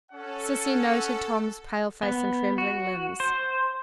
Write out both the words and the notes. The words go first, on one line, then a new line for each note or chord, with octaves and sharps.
Sissy noted Tom's pale face and trembling limbs.
C#4 A4 F#5
B3
F#4
C5